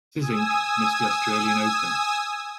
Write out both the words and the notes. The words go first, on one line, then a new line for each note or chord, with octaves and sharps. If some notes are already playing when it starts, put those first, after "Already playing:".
Czink missed the Australian Open.
G#5 D#6 E6